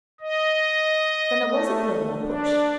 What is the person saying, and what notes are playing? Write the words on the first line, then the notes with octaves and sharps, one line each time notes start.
'Then there was a blow or push?'
D#5
A3
D4